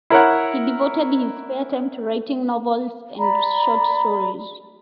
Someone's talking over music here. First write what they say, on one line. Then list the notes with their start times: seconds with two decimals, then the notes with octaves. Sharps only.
He devoted his spare time to writing novels and short stories.
0.10 E4 A#4 C#5 F#5
3.18 D5 A#5 B5